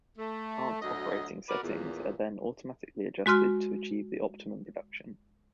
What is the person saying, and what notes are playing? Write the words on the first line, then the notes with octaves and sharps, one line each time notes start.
Plant operating settings are then automatically adjusted to achieve the optimum production.
A3
D2 F#3 D#5
F#4 A#4 B4 D5
E2 A#2
G#3 F#4 C6 F6